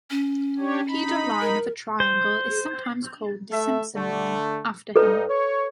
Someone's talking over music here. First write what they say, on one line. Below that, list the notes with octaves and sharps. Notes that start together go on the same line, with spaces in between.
The pedal line of a triangle is sometimes called the "Simson line" after him.
C#4
D4 G4 C#5
D#4 B5
A#4
C5
A3 E5
D3 A3
G2 D#4 A4 B4
C#5